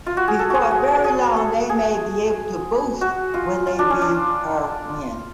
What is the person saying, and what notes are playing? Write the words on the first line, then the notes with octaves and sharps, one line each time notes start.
Before very long they may be able to boast that they read her when.
F4
F#4
G#4
A4
F#4 G#4
G#4
G#4
G#4
A4
G#4
F#4
F4
F4
D4
C#4
D4